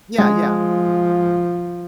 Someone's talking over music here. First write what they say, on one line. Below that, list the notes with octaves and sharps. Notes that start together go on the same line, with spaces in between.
Yeah, yeah,
F3 G#3